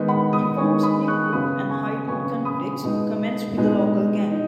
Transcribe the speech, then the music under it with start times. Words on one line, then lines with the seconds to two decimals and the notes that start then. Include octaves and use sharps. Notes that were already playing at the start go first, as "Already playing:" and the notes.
He forms a new group and heightened conflicts commence with a local gang.
Already playing: D#3 G#3 B3 D#4
0.08 F#5 B5
0.33 B5 D#6
0.57 D#3 G#3 B3 D#4 G#5 C#6
0.83 B5 D#6
1.08 C#6 F#6
1.33 F#2 C#3 F#3 B3 B5 D#6
1.70 G#5 C#6
2.08 F#2 C#3 F#3 B3 G#5 C#6
2.45 B5 D#6
2.83 B2 G#3 B3 D#4
3.57 B2 G#3 B3 D#4
4.32 D#4